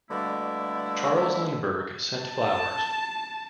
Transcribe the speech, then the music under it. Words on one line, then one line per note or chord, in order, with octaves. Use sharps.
Charles Lindbergh sent flowers.
B2 D3 G3 A3 A#3 E4
A5